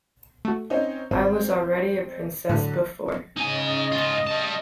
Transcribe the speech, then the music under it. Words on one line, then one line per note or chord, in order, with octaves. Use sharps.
I was already a princess before.
A3 F#4
C4 C#4 D#4
G#1 C4
A2 D3 F#3
C#3 D#4 D#5 G#5
G#2 F4
G3 A5